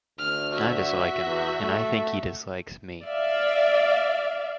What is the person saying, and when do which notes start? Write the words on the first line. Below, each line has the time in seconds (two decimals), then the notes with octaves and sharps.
I dislike him and I think he dislikes me.
0.18 D2 F6
0.50 F#4 E5
1.26 E2
1.59 A3
3.04 D5 E5 F5